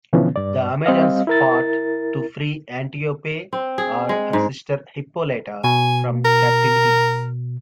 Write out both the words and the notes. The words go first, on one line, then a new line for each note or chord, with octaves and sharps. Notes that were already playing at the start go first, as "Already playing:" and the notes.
The Amazons fought to free Antiope or her sister Hippolyta from captivity.
B2 D3 E3 F3 B3 C#4
G2 D5
G3 C4 D#5 F5
E4 A#4 A6
C4
G#4
G#3
G#2
B2 G#5
A#4